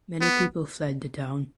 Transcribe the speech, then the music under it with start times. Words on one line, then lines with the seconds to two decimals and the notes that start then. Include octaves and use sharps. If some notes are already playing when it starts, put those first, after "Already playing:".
Many people fled the town.
0.21 B3